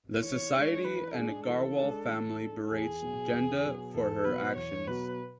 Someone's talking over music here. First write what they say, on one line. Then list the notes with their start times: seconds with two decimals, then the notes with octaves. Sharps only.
The society and Agarwal family berates Genda for her actions.
0.23 E3 C#5
0.54 G#3 D4
0.85 E3 B4
1.16 G#3 D4 G#4
1.47 E3 A4
1.77 G#3 D4
2.09 E3
2.39 G#3 D4
2.71 E2 G#4
3.01 B2 F#3 B3 F#4
3.32 E2
3.64 B2 F#3 B3 F#4
3.94 E2 A4
4.25 B2 F#3 B3 F#4 B4
4.56 E2 C#5
4.87 B2 F#3 B3 F#4 B4